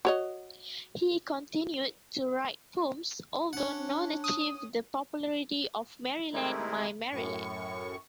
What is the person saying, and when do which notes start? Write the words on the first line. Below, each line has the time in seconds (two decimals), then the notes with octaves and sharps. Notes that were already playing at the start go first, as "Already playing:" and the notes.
He continued to write poems, although none achieved the popularity of "Maryland, My Maryland".
0.05 F#4 C#5 D#5
3.53 C#4 D4 F#5
4.24 D#6
6.33 C3 D#3 G#3 A3 D#4 E4
7.12 F#2 A2 C#6